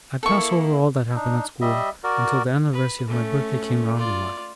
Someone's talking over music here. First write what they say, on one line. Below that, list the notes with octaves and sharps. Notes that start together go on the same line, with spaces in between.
I PASS over all that happened at school, until the anniversary of my birthday came round in March.
A#3 E4 A4 C#6
D4 D#4
G3 D#5 E5
F#4 A#4 D5
B4
A3 C#4
F4 D5